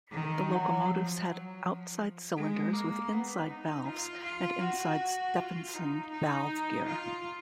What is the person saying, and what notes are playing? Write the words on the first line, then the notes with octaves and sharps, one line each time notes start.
The locomotives had outside cylinders with inside valves and inside Stephenson valve gear.
D#3
F#3
F3
F#3
F3
G#3
A#3
B3
D#4
F4
F4
F#4
F4
D#4
D#4
F4